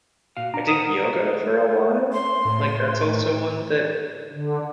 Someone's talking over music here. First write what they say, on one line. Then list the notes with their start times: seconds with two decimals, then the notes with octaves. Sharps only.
I did yoga for a while. Like, that's also one that
0.37 A#2 F#4 F5
0.54 D4 A#5
0.68 A#4 C5 F#5 D#6
2.13 C6
2.45 A2
4.34 D3